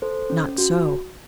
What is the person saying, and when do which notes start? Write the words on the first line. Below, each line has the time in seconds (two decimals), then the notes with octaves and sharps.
Not so.
0.02 A4 C5
0.30 C#4
0.58 F#4